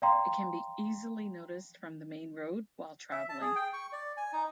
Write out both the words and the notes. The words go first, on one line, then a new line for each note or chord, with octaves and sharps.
It can be easily noticed from the main road while traveling.
D5 F5 G5 A#5 C6
E5
A5
G#4
G5
C#6
D5
G#5
D#4